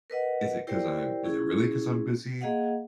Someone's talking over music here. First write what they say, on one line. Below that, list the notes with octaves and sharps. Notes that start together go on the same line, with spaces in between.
is it 'cause I'm is it really 'cause I'm busy,
A#4 B4 D#5 F#5
E4 G4 A#4 C5 D5 G5
C#4 E4 G#4
A#3 G#4 D#5 F5 F#5